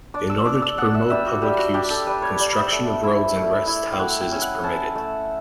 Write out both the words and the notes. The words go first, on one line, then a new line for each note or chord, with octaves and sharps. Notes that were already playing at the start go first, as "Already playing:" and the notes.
In order to promote public use, construction of roads and rest houses is permitted.
D4 D6
E6
D4 D6
E6
D4 F#5
E5
G3 E5
F#4
G3 G4
F#4
D4 G4
A4
G3 B4
C#5
G3 D5
E5
A3
E4
A3
E4
G5
A3 F#5
G5
C#4
F#5
C#4 A5
A3